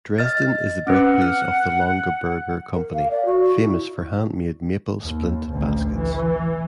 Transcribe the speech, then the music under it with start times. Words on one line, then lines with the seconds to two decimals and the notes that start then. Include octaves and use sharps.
Dresden is the birthplace of the Longaberger Company, famous for handmade maple splint baskets.
0.18 D#5 F6 A6
0.87 C4 C#4 B4 F#5
1.22 F6
2.73 A#4
2.94 F5
3.11 D5
3.25 F#4
3.56 E4
5.01 D#2
5.51 A1 D2
5.96 E3